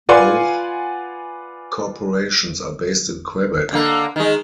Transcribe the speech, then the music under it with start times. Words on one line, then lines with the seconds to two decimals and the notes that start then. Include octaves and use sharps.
Both corporations are based in Quebec.
0.09 F4 B4 D5 F#5 G#5 C6
3.73 D3 A#3
4.16 D#3 G#3